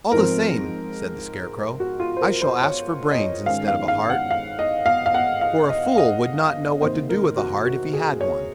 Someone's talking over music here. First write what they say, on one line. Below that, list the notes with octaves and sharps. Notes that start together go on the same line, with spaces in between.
"All the same," said the Scarecrow, "I shall ask for brains instead of a heart; for a fool would not know what to do with a heart if he had one."
G#2 F3 C4 A#4
F#4
F4
C5
A#4
C5
C#5
D#5
C#5
G#2 D#3 G#3 C#4 F5
F5
F5
F#5
F5
D#5
F5
F5
F#5
F5
D#5
D#5
C3 D#3 A#3 C5
A#4
F#4
F#4
G#4
C#5